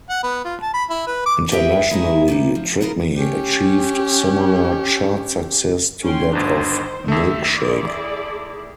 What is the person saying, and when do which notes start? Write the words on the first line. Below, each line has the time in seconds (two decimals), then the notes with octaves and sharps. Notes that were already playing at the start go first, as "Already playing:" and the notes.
Internationally, "Trick Me" achieved similar chart success to that of "Milkshake".
0.09 F#5
0.23 B3
0.45 F4
0.62 A5
0.74 B5
0.90 E4
1.07 B4
1.26 D6
1.52 G4 G#4 B4 D#5 E5 G5
1.90 G#3 D#4 E4 G#4
2.28 C3 A3 A#3
2.55 F3
2.81 F3 A#3 B3 F4 A#4
3.16 C#4 G4
6.03 C#4 G5 C6
6.33 G1 D2 D#3 D4 C5
7.08 D#2 A3 E5
7.57 E4 G#4 D5